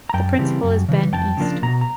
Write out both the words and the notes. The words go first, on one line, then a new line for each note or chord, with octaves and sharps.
The principal is Ben East.
A#5
F#2 G5 A5
C#3 E3 G3 C4
F#2
C#3 E3
F2 G5 A5
C#3 F3 A#3 D4
B2 A#5
A#5